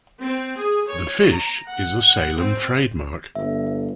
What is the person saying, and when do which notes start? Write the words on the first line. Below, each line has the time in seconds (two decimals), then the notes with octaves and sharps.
The Fish is a Salem trademark.
0.20 C4
0.56 G#4
0.89 C#5
1.31 A#5
1.67 F#5
2.02 F#5
2.36 C4
3.35 G1 E5